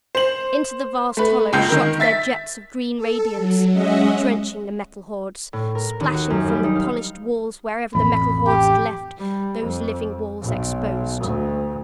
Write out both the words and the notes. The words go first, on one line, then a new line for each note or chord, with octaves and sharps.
Into the vast hollow shot their jets of green radiance, drenching the Metal Hordes, splashing from the polished walls wherever the Metal Hordes had left those living walls exposed.
C5 F#7
A3 B4
F#1 C#2 G6 C7
D#3 A#4
E5 A6 B6
A4
F#3
G#3 C#4 D#5 E5 F#5
A2
A#4
D#2
F#4
F#2
G3
D#4
F5
A1 F2 B5
G4
G3
F2
B1
D2